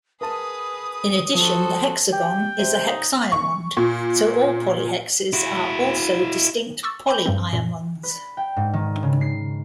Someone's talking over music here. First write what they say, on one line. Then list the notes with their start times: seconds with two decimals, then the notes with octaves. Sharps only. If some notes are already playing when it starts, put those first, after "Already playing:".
In addition, the hexagon is a hexiamond, so all polyhexes are also distinct polyiamonds.
0.21 G#4 A#4 B4 A5 D#6
1.35 F3 F#4 A4 C5
2.13 G4 G5
2.59 C3
2.88 D#4
3.32 C#6
3.77 A#2
5.33 E4 F#4
6.83 C#6 D6 E6 A6
7.07 G5 G#5 B5 D6 G6
7.26 G2 G3 C4
7.53 F#2 A#2
8.03 B4
8.37 G5
8.56 G#2
8.73 D#3
9.03 C#3
9.21 C7